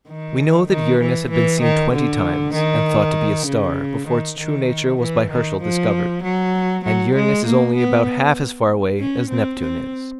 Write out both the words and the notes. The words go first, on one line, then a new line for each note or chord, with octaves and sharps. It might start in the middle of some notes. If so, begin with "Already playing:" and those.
We know that Uranus had been seen twenty times, and thought to be a star, before its true nature was by Herschel discovered; and Uranus is only about half as far away as Neptune is.
D#3
D#3
E3
E3
D#3
D3
D#3
C#3
D#3
D#3
E3
D#3
F3
F#3
F#3
G#3
A#3
B3
C#4
C4
C4